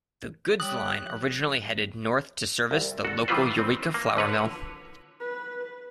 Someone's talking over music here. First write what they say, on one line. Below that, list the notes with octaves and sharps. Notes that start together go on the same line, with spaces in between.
The goods line originally headed north to service the local Eureka flour mill.
G3 G4 C#5 D#6 F#6
F3
C2
F#4 A4
D#3 E3 G3 F4 B4 C5
C4
A#3
D3 B4 C#5
B4